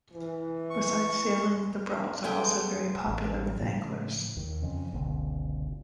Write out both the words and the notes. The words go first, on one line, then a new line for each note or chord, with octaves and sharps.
Besides sailing, the broads are also very popular with anglers.
E3
C#6
G#3 B3 A4 G5
A1
A2 C#3 F3 A3
D#2
F2 C#3
F#1 C#2 B2 D3